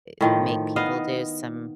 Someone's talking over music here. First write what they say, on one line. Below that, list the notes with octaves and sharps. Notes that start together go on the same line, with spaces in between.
i make people do some
A2 D#3 F3
B3 D#5 F5